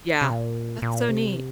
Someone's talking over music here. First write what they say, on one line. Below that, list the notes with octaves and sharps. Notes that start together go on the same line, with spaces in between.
Yeah. That's so neat.
C3
A#2
A#2
C3